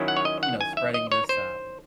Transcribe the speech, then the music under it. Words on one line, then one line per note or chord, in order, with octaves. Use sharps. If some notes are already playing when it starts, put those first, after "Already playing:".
You know, spreading this, um
Already playing: D#3 F#3 C#4 E4
F#5
C#5
D#5
F#5
G#5
E5
D#5
C#5
C5